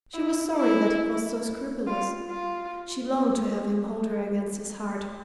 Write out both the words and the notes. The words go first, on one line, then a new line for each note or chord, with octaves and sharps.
She was sorry that he was so scrupulous. She longed to have him hold her against his heart.
E4
E4
F4
F4